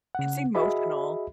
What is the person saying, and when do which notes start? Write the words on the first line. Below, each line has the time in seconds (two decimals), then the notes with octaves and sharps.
It's emotional.
0.15 C#3 F#5
0.55 F#4 G#4 D#5 E5 B5